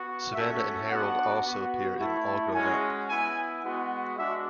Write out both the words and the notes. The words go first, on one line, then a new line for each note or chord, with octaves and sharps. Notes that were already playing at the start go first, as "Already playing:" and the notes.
Savannah and Harold also appear in All Grown Up!
Already playing: B3 F#4
A3 C#4 F#4 E5
B3 D4 F#4 F#5
B3 F#4
A3 E4
G#3 C#4 F#4 G#5
B3 E4 G#5
G#3 B3 F#4
G#3 D4 F#4 E5